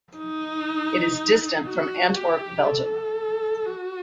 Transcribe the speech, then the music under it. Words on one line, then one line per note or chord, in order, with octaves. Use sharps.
It is distant from Antwerp, Belgium.
D#4
F#4
G4
A4
F#4